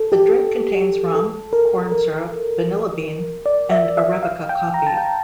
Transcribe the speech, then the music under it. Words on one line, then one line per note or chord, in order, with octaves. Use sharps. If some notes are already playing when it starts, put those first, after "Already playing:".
The drink contains rum, corn syrup, vanilla bean, and Arabica coffee.
Already playing: A4
G4
A4
A#4
A#4
D5
E5
E5
F5
G5
A#5
A5
G5